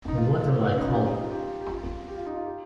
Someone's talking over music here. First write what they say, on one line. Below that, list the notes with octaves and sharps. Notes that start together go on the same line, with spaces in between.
What'll I call them?
D#4
F4
C#4
D#4
F4
G4
D#4
F4
G4
G4
F4
G4
F4
D#4
F4
G4